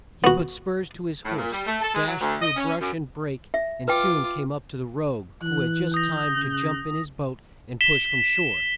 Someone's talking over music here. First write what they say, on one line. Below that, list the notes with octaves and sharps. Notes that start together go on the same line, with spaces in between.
He put spurs to his horse, dashed through bush and brake, and soon came up to the rogue who had just time to jump in his boat and push from shore.
B3 F#4
A2
A#2
G3
A3
A4
G#3
F#3
D2
D#5
C#4
F#2
E5
F4 B4 G5 D6
E3 F#6
D#6 G6 A#6
C#3
B6 E7 G7